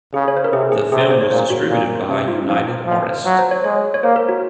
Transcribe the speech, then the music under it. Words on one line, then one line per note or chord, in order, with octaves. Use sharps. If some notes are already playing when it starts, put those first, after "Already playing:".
The film was distributed by United Artists.
C#3 G#4
C#5
C5
A#4
C3 G#4
G#4
C3 G#4
C5
C5
C#5
A#2 C5
F#4
A#2
C3 C#4
F4
D#4
C#4
F3 D#4
F3
F#3
C5
C#5
G#3 C#5
C#5
A#3 C5
A#4
F#4